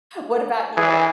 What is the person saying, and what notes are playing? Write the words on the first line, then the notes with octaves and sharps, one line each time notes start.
What about you?
E3 G#4